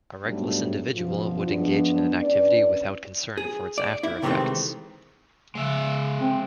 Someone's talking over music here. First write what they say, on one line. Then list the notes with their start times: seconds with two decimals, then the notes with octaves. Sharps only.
A reckless individual would engage in an activity without concern for its after-effects.
0.25 G#2 F#3 G3 A3 B3 D4
0.94 F#2 B2 F3 F4
1.48 F3 G#3 B3 D4
2.21 C#4 D4 E4 B4 D5
3.37 G#4
3.78 D5
4.03 E4
4.22 C3 D#3 E3 G#3 A3 C4
5.55 C#3 G#3 E5
6.21 C4